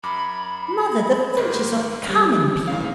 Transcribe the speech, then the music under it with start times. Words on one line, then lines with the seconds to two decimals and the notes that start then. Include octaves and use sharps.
"Mother!--the Finches are common people."
0.03 F#2 B5 D6
1.37 G#2 D#3 A#3
2.07 C#3 G3
2.68 G#2 C#3 E3 F5